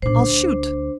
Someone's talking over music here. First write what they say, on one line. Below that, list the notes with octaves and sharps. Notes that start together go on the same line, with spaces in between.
I'll shoot!
B1 A#2 D4 C5
D2